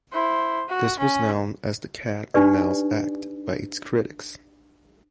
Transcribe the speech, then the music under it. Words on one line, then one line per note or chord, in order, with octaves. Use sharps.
This was known as the Cat and Mouse Act by its critics.
E4 C5
F#4
C#4
D4 D#4 G4 B4 D5